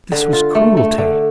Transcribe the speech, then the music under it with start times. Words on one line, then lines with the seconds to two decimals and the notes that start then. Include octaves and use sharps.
This was cruelty.
0.12 D3
0.33 F4
0.55 A3
0.77 A3
0.98 D3